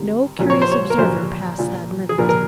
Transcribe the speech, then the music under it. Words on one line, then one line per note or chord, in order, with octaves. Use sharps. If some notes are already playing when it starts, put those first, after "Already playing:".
No curious observer passed that limit.
Already playing: C2 C3 D#3
A#1 A#2 F#3
C#5
C5
C#5
A#4
A#1 A#2 F#3 C5
A#1 A#2 F3
G#4
A#1 A#2 F3 A#4
A#4